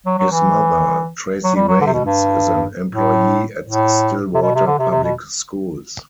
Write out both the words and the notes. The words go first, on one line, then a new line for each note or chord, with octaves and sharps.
His mother, Tracey Rains, is an employee at Stillwater Public Schools.
F#3
F#3
E3
F#3
G3
F#3
D3
C3
B2
G2
A2
A2
C3
B2
C3
D3
C3
C3
B2